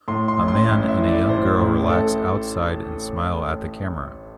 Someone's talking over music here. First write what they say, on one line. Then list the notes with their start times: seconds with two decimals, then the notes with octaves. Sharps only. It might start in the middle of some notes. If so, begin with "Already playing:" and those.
A man and a young girl relax outside and smile at the camera.
0.08 A2 C6
0.28 C6
0.39 A1
0.48 C6
0.69 A1
0.88 E5
0.98 E3
1.08 D5
1.29 A2 C5
1.59 A1
1.89 A1 A4